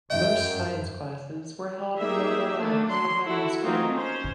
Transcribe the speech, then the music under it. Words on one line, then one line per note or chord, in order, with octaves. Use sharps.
Most science classes were held in mobile labs behind the school.
F#2 D#5 E5 G5
A#3 D#4 G4 G#4 E5
A3 A#3 D4
F#3 C6
E4 F#4 A4
F#3 A3 A#3 C4 D#4 F4
C#4 C5